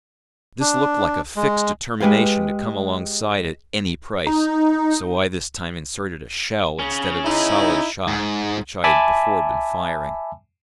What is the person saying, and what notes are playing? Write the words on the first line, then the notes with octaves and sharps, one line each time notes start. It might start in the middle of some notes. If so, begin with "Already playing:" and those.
This looked like a fixed determination to come alongside at any price, so I this time inserted a shell instead of a solid shot, which I had before been firing.
D4
G#3
G#3 G4 B4 F5
D#4
C#3 C#4
D#4 E4
G#2
E5 G#5 A5 B5 D6 E6